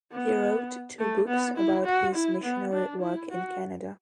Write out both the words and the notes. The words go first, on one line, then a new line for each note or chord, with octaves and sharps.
He wrote two books about his missionary work in Canada.
B3
A3
B3
E4
F#4
E4
B3
D4
E4
F#4